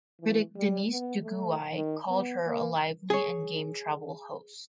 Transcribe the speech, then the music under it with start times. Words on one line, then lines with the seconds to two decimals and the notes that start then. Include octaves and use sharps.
Critic Denise Duguay called her a "lively and game travel host".
0.21 E3
0.56 G3
0.91 B3
1.23 A3
1.74 D#3
2.08 B3
2.47 A#3
3.10 G#4 C#5